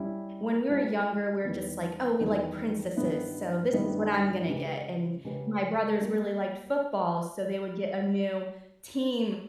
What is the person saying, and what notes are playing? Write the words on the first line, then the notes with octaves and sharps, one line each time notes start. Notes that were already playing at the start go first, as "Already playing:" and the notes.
When we were younger, we're just like, "Oh, we like princesses, so this is what I'm gonna get," and my brothers really liked football, so they would get a new team
Already playing: G3 C#4 E4
G3 C#4 E4
E2 D#3 G3 B3
E2 D#3 G3 B3
G2 D#3 G3 B3 E4
G2 D#3 G3 B3 E4
C#3 G#3 C#4 G4 B4
C#3 G#3 C#4 G4 B4
G3 A#3